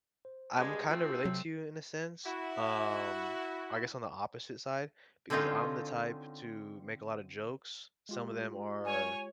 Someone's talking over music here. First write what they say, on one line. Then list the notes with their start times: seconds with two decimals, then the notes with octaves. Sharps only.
I'm kinda relate to you in a sense, um, I guess, on the opposite side, because I'm the type to make a lotta jokes, some of them are
0.25 C5
0.59 G2 G#3 A5
0.89 A3 C4 F4 C7
1.10 D#4 F#4 G4
1.25 C3 F#3
2.24 E4 F#4
5.30 D3 C4 C#4 D#4 F4
8.09 G#3 F4 G4
8.85 C#5 G#5